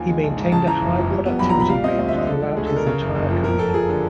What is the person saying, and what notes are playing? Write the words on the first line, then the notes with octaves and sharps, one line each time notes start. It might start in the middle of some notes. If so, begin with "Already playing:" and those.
He maintained a high productivity rate throughout his entire career.
Already playing: D#2 F3 G#5
G#3
A#1
G#2
C#3 A5
E3 A#5
F#1
F2
G3
B3
B1 B5
A#5
A#2
B5
G3 F5
C4 D#5
D2 D#5
E5
D3
D#5
F3 A4
G#3
D2 G#4
A4
D3 A#4
C#3
F#1
F#1
F2
F3 A#4
F2 A4
F2 G#4
D3